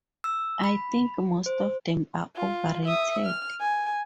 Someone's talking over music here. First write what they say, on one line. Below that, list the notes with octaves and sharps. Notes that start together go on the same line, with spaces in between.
I think most of them are overrated.
E6
B5
C5
F4
E5 D#6
F6
G#5